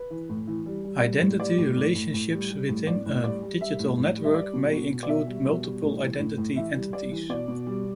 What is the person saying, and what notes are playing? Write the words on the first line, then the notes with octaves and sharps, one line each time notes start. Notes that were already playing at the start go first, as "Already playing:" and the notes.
Identity relationships within a digital network may include multiple identity entities.
Already playing: B4
E3
A2
E3
G3
G3
G3
A2
G3 D5
A2
A2
A2
A2
G3
G3
A2
A2 D5
A2
G3 D5
G3
G3 E5
A2
A2
G3
E5
G3 D5
B2
B2
B2
D5
B2 E5
G3
B2
G3
A2
E3
A2
A2
E3 E5
G3
G3 D5
E3
B2 D5
B2
G3